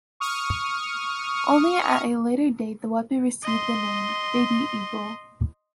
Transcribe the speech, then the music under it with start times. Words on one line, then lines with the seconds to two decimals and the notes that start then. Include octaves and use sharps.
Only at a later date the weapon received the name "Baby Eagle".
0.20 C#6 D#6 F6
3.43 D#5 C6